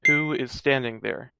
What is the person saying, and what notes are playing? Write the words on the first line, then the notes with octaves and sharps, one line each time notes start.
Who is standing there?
C7